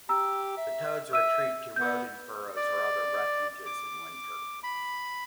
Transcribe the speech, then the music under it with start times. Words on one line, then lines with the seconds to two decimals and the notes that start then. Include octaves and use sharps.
The toads retreat to rodent burrows or other refuges in winter.
0.09 G4 A#5 E6
0.57 E5
1.13 E5 E6 D#7
1.76 B3 G6
2.56 D5
3.66 D6
4.63 B5